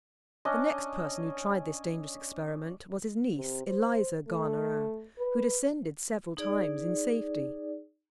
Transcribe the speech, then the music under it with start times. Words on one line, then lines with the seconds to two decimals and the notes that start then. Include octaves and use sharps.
The next person who tried this dangerous experiment was his niece, Eliza Garnerin, who descended several times in safety.
0.45 C#4 D4 D#5
3.37 C3
3.67 C5
4.28 A3
5.19 B4
6.37 D#4 G#4 D5